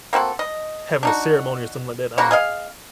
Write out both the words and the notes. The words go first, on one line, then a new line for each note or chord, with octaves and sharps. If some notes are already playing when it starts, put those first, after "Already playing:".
t having a ceremony or something like that, I'm
A#3 C4 F#4 A4
D#5
D4 D#4 F#4
C#3 F3 A#3 F#4
G#4 D#5 F5